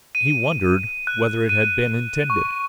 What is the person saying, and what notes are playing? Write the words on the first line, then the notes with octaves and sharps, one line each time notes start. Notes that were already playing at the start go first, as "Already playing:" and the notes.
He wondered whether it had been intended.
D#7
F#6
D#7
C#6